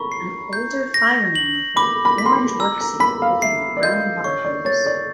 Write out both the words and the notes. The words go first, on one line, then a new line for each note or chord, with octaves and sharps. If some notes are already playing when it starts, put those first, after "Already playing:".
An older fireman with an orange work suit holding a brown water hose.
Already playing: A#5 B5 C#6
C7
G6
A#6
F#7
B5 D6
B5
B6
C6
B5
A#5 E6
A#5
B5 B6
F5
E5 C7
D5
D#5 G6
C#5 C#6
D5
C#5 A6
D5